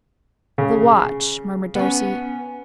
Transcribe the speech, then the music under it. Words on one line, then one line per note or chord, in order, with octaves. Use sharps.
"The watch," murmured Darcy.
C#3
B3 C#4